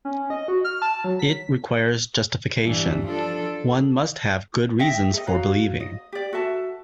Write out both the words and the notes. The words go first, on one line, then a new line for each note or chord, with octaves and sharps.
It requires justification: one must have good reasons for believing.
C#4
D#5
F#4
F6
A5
F#3
B6
G2 E3
F3 D4 A4
D#5 E5 G5
A4 D#5
F#4 C#5 F5 A#5
D#5
G4 D5
F#4 A4 E5 A5